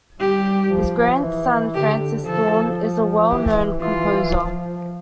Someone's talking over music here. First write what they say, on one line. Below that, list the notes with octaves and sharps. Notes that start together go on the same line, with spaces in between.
His grandson, Francis Thorne, is a well known composer.
G3 G4
F3
E3
D3 G4
F3 A4
E3 G4
E3 F4
F3